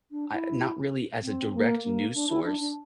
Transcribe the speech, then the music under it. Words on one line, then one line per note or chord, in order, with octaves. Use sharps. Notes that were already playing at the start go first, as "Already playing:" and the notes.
I not really as a direct news source,
D4
E4
C4
C4
A#3
A#3
D4
E4
D4
D4